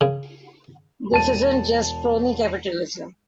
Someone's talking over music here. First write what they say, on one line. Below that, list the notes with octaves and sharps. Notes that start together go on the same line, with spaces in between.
This isn't just crony capitalism.
C#3
E1 A5 D#7